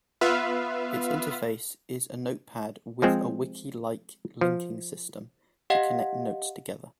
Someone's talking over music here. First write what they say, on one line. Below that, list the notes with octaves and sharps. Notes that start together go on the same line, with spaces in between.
Its interface is a notepad with a wiki-like linking system to connect notes together.
B3 F4 B4 E5 F5
F3 G#3 C4
F3
G4 D#5 F5 F#5